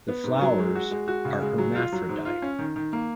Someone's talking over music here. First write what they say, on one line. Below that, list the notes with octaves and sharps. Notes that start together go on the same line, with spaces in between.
The flowers are hermaphrodite.
B3
G#2
F#3
G#3
F#4
G#3
F#4
C#3
G#3
F#3
F4
F#3
G#2
F4
C#4
D#3
D#3
A#3